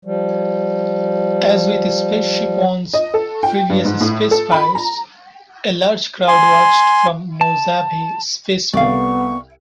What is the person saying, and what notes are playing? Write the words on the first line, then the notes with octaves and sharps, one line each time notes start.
As with SpaceShipOne's previous spaceflights, a large crowd watched from Mojave Spaceport.
F3 G3
D#5
A4
G5
G2
G#2
A2
A4
B5
A#5
G#5 C6
A5
C2 B3 A4 D5 F5 C#6